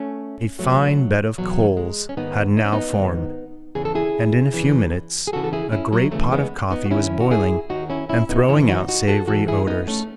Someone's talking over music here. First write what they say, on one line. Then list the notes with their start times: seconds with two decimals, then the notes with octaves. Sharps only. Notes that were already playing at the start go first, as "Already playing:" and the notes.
A fine bed of coals had now formed, and in a few minutes a great pot of coffee was boiling and throwing out savory odors.
Already playing: A3 C#4
0.59 E2 B2 F#3 A3
1.38 E2 B2 F#3
1.77 G#3
2.09 C#4
2.17 G#2 D#3 B3 D#4
2.57 D#4
2.65 C#4
2.72 B3 D#4
2.96 G#2 D#3
3.75 E2 C#3 E3 G#4
3.85 A4
3.95 E4 G#4
4.54 E2 C#3 E3
5.27 G#4
5.32 E2 C#3 E3 F#4 A4
5.44 A4
5.53 E4 G#4
5.72 C#4 E4
5.93 F#3
6.11 E2 C#3 E3 F#3 A3
6.32 G#3 B3
6.71 B3 D#4
6.86 F#4
6.91 D#2 D#3 C#4 E4
7.20 F#4
7.31 E4 G#4
7.69 D#2 D#3 D#4 F#4
7.90 C#4 E4
8.09 C#4 E4
8.29 B3 D#4
8.49 G#2 E3 C#4 E4
8.68 D#4 F#4
8.88 D#4 F#4
9.08 F#4 A4
9.28 G#2 E3 F#4 A4
9.48 E4 G#4
9.67 B3 D#4
9.88 A3 C#4